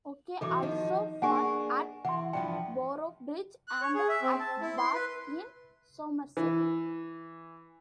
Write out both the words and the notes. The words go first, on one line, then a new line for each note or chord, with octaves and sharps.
Okey also fought at Boroughbridge and at Bath in Somerset.
G#2 E3 F#3 A4 D6
D#3 F3 D#4
A#3 D4 G#4 F#5 G#5 C#6
E3 F#5 C6
G2 E3 F3 G5
F#6
C#5
G#4
E5
C4
A5
E4
C6
B4
E3